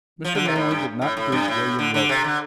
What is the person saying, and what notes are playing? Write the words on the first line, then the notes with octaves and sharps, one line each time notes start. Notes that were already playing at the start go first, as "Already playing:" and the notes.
Mr. Manley did not greet William Roper.
F3
D3
C3
A2
G2
A2
A2
G2
A2
D3
D3
C3
D3